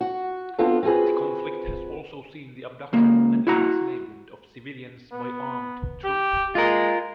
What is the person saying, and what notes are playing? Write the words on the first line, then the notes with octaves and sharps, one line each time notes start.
The conflict has also seen the abduction and enslavement of civilians by armed troops.
F#4
B3 C4 D4 F4 F#4 A4
C4 F4 F#4 G#4 B4
C#2 A#3
E4 F#4 A#5
B3
G4
G#3 F4 A#4